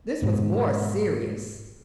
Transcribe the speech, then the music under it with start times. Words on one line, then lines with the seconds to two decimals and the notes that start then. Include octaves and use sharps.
This was more serious.
0.22 G#2 B2